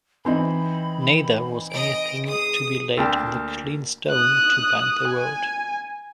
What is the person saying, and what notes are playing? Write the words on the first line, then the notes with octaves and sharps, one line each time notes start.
Neither was anything to be laid on the clean stone to bind the road.
E3 C4 D#4 B5
D#5 D7
G#4 D#6
D2 A#3 G5 A5
D#6 F#6
G#5